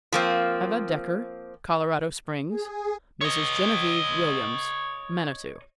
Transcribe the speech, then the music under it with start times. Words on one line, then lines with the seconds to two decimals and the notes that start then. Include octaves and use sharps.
Eva Decker, Colorado Springs, Mrs. Genevieve Williams, Manitou.
0.12 F3 A#3 C4
2.49 G#4
3.21 C#5 D#5